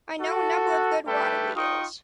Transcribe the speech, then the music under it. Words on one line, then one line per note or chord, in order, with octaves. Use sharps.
I know of a number of good water wheels.
F#4 A4
G3 A3 D4 A4 B4 G5
D#4 F4 G5 C#6 D#6